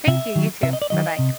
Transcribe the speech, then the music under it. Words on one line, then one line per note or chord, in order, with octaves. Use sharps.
Thank you, you too. Bye-bye.
C3 E5
D#3 F#3
C3 E5
D#5
D5
D#3 F#3 D#5
C3